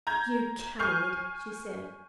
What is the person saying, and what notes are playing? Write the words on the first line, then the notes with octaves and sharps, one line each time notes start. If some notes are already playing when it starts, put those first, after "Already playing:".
"You coward!" she said.
A#5 G6 G#6
G#5 C#6 F6 G6 C7 F7